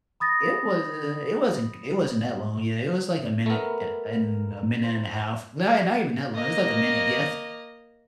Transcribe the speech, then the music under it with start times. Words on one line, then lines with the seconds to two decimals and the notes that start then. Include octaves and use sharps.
It was, uh, it wasn't it wasn't that long. Yeah, it was, like, a minute a and a minute and a half. Not not even that long. It was like a minute, yeah.
0.20 B5 D#6 A6 A#6
3.46 A3 B3 A#4 B5
4.84 C5
6.35 A#3 D#5